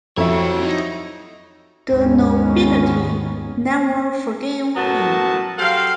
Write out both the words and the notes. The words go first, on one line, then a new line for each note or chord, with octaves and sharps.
The nobility never forgave him.
F2 F#3 E4 G4 A4 C#5 E5
D#4
G#1 D#2 D#3 G#3 B3 C#4
F#2 A2 B3 F#4 A5 A#5
F#3 G4 A4 C5 F5